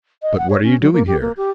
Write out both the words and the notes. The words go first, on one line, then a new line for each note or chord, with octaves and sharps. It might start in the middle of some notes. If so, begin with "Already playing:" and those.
"But what are you doing here?"
D#5
F#5
C#5
C#4
F#3
A#3
G4
A#3
G4